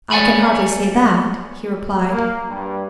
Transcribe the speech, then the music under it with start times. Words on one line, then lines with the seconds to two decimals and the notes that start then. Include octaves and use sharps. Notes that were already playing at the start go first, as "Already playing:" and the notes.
"I can hardly say that," he replied.
0.11 C#5 D5 F#5 G#5 B5
2.10 A#3
2.48 G2